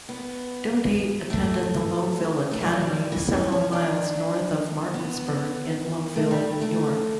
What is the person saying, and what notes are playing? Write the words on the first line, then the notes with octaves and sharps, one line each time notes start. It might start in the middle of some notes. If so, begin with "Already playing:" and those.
Doty attended the Lowville Academy several miles north of Martinsburg in Lowville, New York.
B3
A3
A3
G3
F#3
G3
E3
C#4
C#4
D4
B3
A3
G3
A3